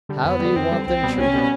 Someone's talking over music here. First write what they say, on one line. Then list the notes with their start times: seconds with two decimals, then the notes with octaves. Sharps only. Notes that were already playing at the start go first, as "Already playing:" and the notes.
'How do you want them treated?'
0.09 D3 G3
0.24 F2 B3
0.39 D3 G3
0.56 F2 C4
0.71 D3 G3
0.87 C2 C4
1.03 B2 G3 B3
1.18 C2 C#4
1.34 B2 G3 B3